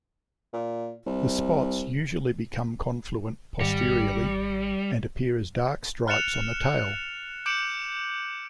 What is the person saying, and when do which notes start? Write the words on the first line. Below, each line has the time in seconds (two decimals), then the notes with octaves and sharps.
The spots usually become confluent posteriorly, and appear as dark stripes on the tail.
0.53 A#2
1.06 C2
3.61 G#1 G3 A#6 C#7
6.08 F6 F#6 A6 C#7 E7 F7
7.46 D6 G6 C#7 D7 E7 F#7